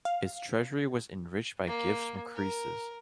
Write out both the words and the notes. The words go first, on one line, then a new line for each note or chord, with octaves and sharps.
Its treasury was enriched by gifts from Croesus.
F5
A#3
A#4